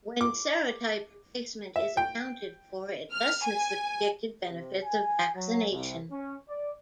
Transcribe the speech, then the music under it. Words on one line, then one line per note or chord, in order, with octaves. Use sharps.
When serotype replacement is accounted for, it lessens the predicted benefits of vaccination.
D6
E5
G5
F6
G#5
C3
G#5
F#3
C2
C#4
D5